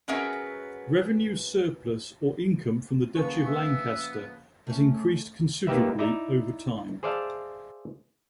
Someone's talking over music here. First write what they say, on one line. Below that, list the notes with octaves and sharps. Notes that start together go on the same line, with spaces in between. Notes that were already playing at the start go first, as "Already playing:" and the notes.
Revenue surplus or income from the Duchy of Lancaster has increased considerably over time.
F#3 B3 C#4 G#4 A#4 E5
C#3 F3 A#3 B3 B4 G#5 C#6
E5
A3 C#4
A#3 D#4 G4 B4 E5
D#4 E4 D5 E5 A#5
G#4 C5 D5 E5 F5 A5